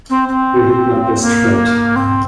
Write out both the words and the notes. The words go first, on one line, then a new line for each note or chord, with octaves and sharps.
You hit my best friend.
C4
C4
A#3
C4